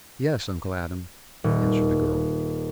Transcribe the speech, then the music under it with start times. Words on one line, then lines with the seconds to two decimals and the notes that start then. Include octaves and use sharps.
"Yes, Uncle Adam," answered the girl.
1.44 D#1